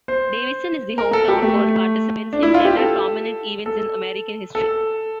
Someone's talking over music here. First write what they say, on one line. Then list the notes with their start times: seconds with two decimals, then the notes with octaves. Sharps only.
Davison is the hometown for participants in several prominent events in American history.
0.08 C5
0.98 A#4
1.13 A4
1.28 G4
1.42 A3
2.33 D4
2.43 E4
2.54 F4
2.65 G4
2.77 A4
3.66 A4
4.55 A4